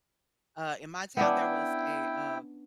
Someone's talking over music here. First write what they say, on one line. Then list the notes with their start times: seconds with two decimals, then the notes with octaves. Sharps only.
uh, in my town there was a, uh,
1.17 B3 C#4 D4 E4 G5